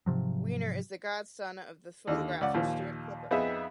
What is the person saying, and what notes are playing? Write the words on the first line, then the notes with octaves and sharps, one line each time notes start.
Weiner is the godson of the photographer Stuart Klipper.
G#2 C3 F3 F#3
D#2 D3
C#2 D5 F#5
D#2 A#2 F3
F2 B3 D#4 G#4 E5